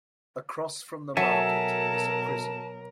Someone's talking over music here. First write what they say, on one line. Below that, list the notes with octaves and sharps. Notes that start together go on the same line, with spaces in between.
Across from the market is a prison.
B2 F#3 A4 A#4 E5 G#5 A5